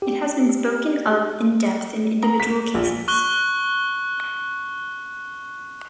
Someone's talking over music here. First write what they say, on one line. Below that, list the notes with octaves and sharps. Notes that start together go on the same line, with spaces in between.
It has been spoken of in depth in individual cases.
G4
A#5
B6
A#1
C#6 F#6 G7